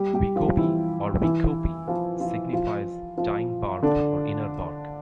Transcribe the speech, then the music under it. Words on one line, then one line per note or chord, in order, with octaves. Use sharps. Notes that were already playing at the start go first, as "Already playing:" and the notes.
Wigobi or wicopy signifies "tying bark" or "inner bark".
Already playing: G3 G4
G3 G4
F3 F4
E3 E4
E3 E4
F3 F4
F3 F4
F3 F4
F3 F4
D3 D4